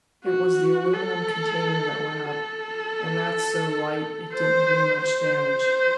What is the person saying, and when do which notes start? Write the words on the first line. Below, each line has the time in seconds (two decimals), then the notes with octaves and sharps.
It was the aluminum container that went up, and that's so light it didn't do much damage.
0.25 F#4
0.93 A4
2.29 A4
4.33 C5
5.01 C5